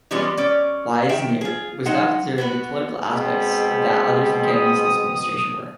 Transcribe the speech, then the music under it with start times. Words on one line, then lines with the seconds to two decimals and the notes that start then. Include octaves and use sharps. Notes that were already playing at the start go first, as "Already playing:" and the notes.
Weisner was not concerned with the political aspects that others in Kennedy's administration were.
0.11 E3 G3 G#3 B3 C#4 F4
0.37 C#4 D5
1.09 D#3 E5 G5
1.41 F4 G#4
1.86 F#3 G#3 D#4 F#5
2.38 B3 F#4 B4
3.11 B2 G#3 C4
4.45 D#6